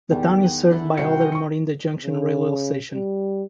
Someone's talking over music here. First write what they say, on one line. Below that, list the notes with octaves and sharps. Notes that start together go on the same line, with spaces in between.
The town is served by older Morinda Junction railway station.
E2 D#3 G3
D#5 F#5
D4 E4 A4
C2 F#4 C5 G5 C#7
D#5 G5 G#5 G6
C#6 C#7
C#3
G3